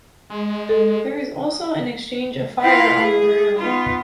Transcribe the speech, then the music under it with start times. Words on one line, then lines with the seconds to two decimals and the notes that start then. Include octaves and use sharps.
There is also an exchange of fire on the ground.
0.30 G#3
0.69 A4
2.60 E4 F4 B4 F5
3.00 G#4
3.58 B3 D#4 F4